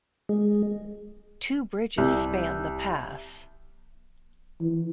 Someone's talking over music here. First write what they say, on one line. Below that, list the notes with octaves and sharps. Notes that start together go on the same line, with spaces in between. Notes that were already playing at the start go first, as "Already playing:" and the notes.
Two bridges span the Pass.
G#3
C2
E3